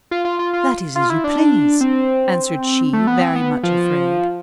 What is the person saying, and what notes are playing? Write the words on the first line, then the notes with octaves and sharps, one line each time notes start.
"That is as you please," answered she, very much afraid.
F4
F4
F4
F4
F4
E4
D4
C4
A3
B3
C4
B3
F3